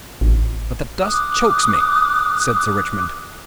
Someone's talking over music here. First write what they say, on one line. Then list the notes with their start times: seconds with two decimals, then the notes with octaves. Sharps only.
"But the dust chokes me," said Sir Richmond.
0.21 A1
1.02 D6 D#6 F6 F#6